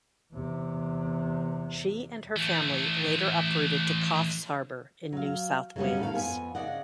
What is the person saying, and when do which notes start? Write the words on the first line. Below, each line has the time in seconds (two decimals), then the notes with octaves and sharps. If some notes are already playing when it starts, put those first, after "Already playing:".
She and her family later uprooted to Coffs Harbour in New South Wales.
0.33 E2 C3
2.36 E3 A3
5.12 F#3 F5
5.76 C#3 F#3 G3 B3 C#4
5.99 A2 D#3 A4 F5
6.13 F2 B3 G#5
6.55 C#3 D5 D#5 F#5